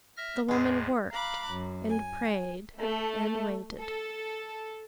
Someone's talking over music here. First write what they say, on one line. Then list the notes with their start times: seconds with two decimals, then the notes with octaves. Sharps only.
The woman worked and prayed and waited.
0.17 E5 F6 A#6
0.48 E2 A2 G#3 G#4
1.11 F5 A#5 B5 D6 F#6
1.50 F#2
1.89 G#5
2.78 A3
3.79 A4